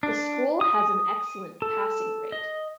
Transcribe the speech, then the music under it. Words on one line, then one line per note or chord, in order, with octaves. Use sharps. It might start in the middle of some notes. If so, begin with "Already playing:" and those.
The school has an excellent passing rate.
D4
D#6
A4
D#5